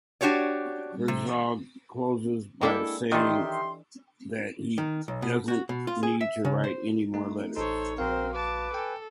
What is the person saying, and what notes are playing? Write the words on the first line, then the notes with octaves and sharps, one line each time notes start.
Herzog closes by saying that he doesn't need to write any more letters.
D4 F#4 G4 C#5 D5
C3
G#3 A#3 D4 E4 A4 G5
D#3 E3 D4 G4 A4 D#5 E5 C6
D#3
B1
B2
F#4
B2
F4
G#4
E5
C#3
C5
A3 D#4
A1 D#4 A4 C5 C#5
A#1 C4 F#4 A#4 C5 F5
B4 A5 D6
A4 G5 G#5